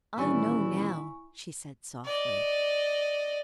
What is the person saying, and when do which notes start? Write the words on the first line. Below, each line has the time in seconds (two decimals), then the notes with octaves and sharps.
"I know now," she said, softly.
0.18 D#1 E3 G3 C#4 E4 G#5 C#6
2.05 D5 D#5